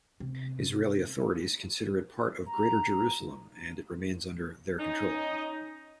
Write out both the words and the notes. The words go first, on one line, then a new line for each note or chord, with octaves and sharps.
Israeli authorities consider it part of Greater Jerusalem, and it remains under their control.
C3
A#5
C#4 D#4